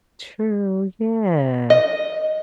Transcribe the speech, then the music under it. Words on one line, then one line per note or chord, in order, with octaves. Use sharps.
True, yeah.
D#5